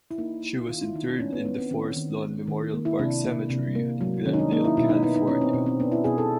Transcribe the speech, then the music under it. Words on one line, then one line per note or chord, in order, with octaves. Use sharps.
She was interred in the Forest Lawn Memorial Park Cemetery in Glendale, California.
E4
A#3 D#4
A#3
D#3 F4
E4
D#3 D#4
D4
B3 C#4
B3
B3
C4
D#3 C#4
D#3
D#3
D#3
A#3
E4
C3 D4
A#3
C3
A#3
F#3
D#3 C#4
D#4
D4
A#3 D#4
E4
B2 E4
D#4
B3 D#4
D#4
B3 C#4
C4
B2
C4
B3 D4
E4
B2 G#4
A4